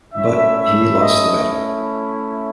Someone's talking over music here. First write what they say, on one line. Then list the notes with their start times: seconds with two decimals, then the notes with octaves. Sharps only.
But he lost the battle.
0.13 A3 C#4 E4 E5
0.56 E5
0.99 D#5